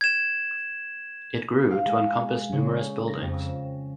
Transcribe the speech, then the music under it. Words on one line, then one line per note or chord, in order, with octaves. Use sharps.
It grew to encompass numerous buildings.
G#6 E7
F5
G#3
C#3
A#6
F2
E7